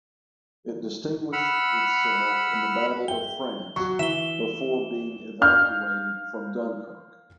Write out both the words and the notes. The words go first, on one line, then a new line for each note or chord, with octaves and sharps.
It distinguished itself in the Battle of France before being evacuated from Dunkirk.
F#5 B5 E6 F6
G#4 E5 G5 G7
F#3 F#4 C#6
E3 E5 E7 G7
F5 F6 G6